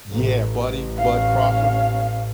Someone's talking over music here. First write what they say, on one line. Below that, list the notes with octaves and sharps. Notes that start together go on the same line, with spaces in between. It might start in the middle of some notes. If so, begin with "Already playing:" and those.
Yeah, Buddy Bud Crawford.
A1
C#4 F5